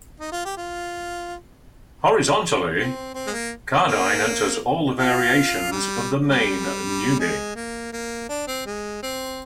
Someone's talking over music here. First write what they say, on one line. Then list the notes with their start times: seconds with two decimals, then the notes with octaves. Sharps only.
Horizontally, Cardine enters all the variations of the main neume.
0.20 D#4
0.32 F4
0.45 G4
0.57 F4
2.78 C4
3.15 C4
3.27 G#3
3.32 A#3
3.88 A#3
4.98 F4
5.72 G3
6.27 G3
7.19 G#3
7.55 A#3
7.93 A#3
8.29 D4
8.47 C4
8.66 G#3
9.03 C4